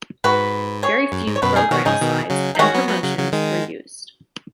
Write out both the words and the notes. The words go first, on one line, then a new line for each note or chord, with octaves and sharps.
Very few programme slides and promotions were used.
G#2 F#4 B4
G#4 C#5
F#2
G#2
C#5
F#2 B2 F#4 B4
D#4 G#4
B2 D#3 C#4 F#4
G#2 C#3 D#4 G#4
B2 D#3
C#3 F#3
D#4
D#3 G#3 C#4 F#4
F#3 B3
F#3 B3
C#3 F#3
C#3 F#3
D#3 G#3